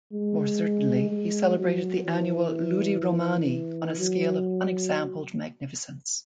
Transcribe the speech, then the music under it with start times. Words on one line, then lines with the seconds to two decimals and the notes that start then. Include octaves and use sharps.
More certainly, he celebrated the annual "ludi Romani" on a scale of unexampled magnificence.
0.13 G#3
1.10 G#3
1.58 F#3
2.06 E3
3.99 F#3